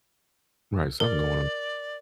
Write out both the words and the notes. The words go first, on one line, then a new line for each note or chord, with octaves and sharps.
Right, something going on.
A#4 D5